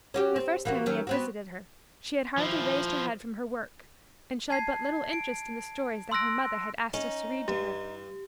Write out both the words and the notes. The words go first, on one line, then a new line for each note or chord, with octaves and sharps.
The first time we had visited her, she had hardly raised her head from her work, and showed but little interest in the stories that her mother had asked us to read to her.
C#4 F#4 G4
C4
E3 A#3 F#4
D#3 F#3 C#4
B3 C4 F#4
F3 E4
A5 G#6 C7
D7
C6 E6 F#6 A#6 D7
C#4 D#4
G2 G4